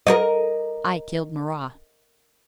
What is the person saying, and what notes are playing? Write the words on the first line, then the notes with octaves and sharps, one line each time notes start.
"I killed Marat!"
A#4 C#5 D#5